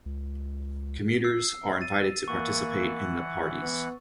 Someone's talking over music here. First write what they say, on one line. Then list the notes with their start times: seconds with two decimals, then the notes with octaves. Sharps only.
Commuters are invited to participate in the parties.
0.06 C#2
1.24 E6 C7
1.81 A6 D#7
2.28 E3 A#3 F#5 C#6
3.62 B3